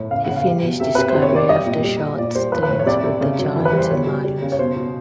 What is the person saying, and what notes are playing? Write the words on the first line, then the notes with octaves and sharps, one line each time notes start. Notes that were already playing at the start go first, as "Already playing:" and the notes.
He finished his career after short stints with the Giants and Lions.
Already playing: A2
C#3 F5
C#3 F#5
F5
G3
B2
C3 E5
C3 B4
C5
C3
C#5
C3 D5
G3 D#5
A#2
G3
G3
A#2 D5
G3 C5
F3 B4
B4
A2 C5
C#5
C3 D5
C3
C#3
F#3
E3
B4
G3 C5
B2 C#5
G3
G3
C#3
C#5
B2 C5
B2